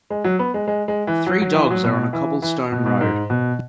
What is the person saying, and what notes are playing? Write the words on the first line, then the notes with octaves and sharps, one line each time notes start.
Three dogs are on a cobblestone road.
G#3
F#3
B3
G#3
G#3
G#3
E3
F#3
F#3
E3
F#3
B2
E3
E3
B2
B2
G#2
B2